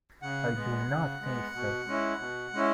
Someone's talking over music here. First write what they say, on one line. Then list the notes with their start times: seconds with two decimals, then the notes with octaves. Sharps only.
I do not think so.
0.22 C#3 F#5
0.55 G#3 B3
0.89 C#3
1.21 G#3 B3
1.55 B2
1.87 G#3 C#4 E4
2.20 B2
2.53 G#3 C#4 E4